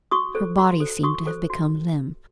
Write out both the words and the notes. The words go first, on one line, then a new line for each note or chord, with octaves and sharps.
Her body seemed to have become limp.
F#4 C#6 D#6
A4 C5
F#4
A4 C5
F#4 C#6 D#6
A4 C5
F#4